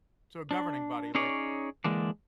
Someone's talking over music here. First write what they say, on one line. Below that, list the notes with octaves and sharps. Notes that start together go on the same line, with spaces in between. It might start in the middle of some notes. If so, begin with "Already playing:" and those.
So, a governing body, like
D4
C#4 D#4 G#4 C#5 D5
D3 E3 G#3 A#3 D4